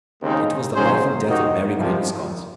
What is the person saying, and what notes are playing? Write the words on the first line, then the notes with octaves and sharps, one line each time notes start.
It was the life and death of Mary Queen of Scots.
D#2 C#3 G#3 C4 D#4
D#3 F#3 C#4 G#4 C5
D#2 D#3 A#3 D#4 F#4
C2 C3 F3